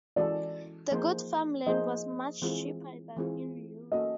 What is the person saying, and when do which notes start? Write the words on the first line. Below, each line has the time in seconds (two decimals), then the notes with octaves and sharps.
The good farm land was much cheaper than in Europe.
0.16 E3 G#3 C#4 F#4 A4 D5
0.91 F3 A#3 D#4 G#4 C5
1.66 F3 A#3 D#4 G#4 C5 D#5
2.42 E3 G#3 C4 F4 G#4
3.17 E3 G#3 C4 F4 G#4
3.92 A#3 C#4 F#4 A4 D#5